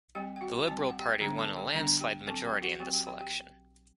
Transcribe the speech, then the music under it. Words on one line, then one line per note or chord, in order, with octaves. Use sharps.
The Liberal Party won a landslide majority in this election.
G3 C4 G4 G5
G5
F#4 F#5
G3 C4 A5
G5
F#5
G4 G5
D3 G3 B3 D4 G4 G5
A4 A5
G4 G5
D3 G3 B3 D4
G4 G5
F#3 C4 A4 A5
G4 G5
F#4 F#5
F#3 C4 G4 G5
G4 G5
G4 G5
G4 G5